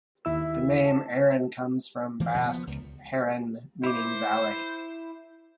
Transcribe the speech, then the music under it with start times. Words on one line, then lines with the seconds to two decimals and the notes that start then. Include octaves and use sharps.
The name Aran comes from Basque "haran", meaning valley.
0.25 D#2 E4 E5 E6
0.84 A5
2.20 E3 F3 A#3
2.34 F#1 B2 D#3 F3
2.47 F3 B3
2.67 C#2
3.84 E4 C5 D6